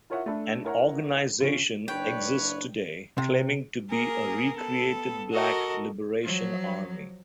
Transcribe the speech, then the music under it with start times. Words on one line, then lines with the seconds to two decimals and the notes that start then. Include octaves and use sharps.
An organization exists today claiming to be a recreated Black Liberation Army.
0.10 E4 F4 A#4 C#5 E5 F#5
0.26 A3 D4 A4 B5
0.65 E4 A#4 C#5 F#5 A#5
1.40 C#3 F3 C#4 D7
1.88 F#1 D4 B4 C#5 G5
3.18 C3
3.90 A#3 G#4 A#4
4.55 B3 A4
5.30 F#4 A4 A#4 D#5
6.23 F3 F#3